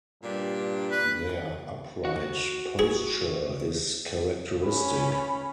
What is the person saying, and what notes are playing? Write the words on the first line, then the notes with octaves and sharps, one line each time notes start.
Their upright posture is characteristic.
G2 A#2 G3 D4
B4
F#4 F#5
G#4
C#4 B5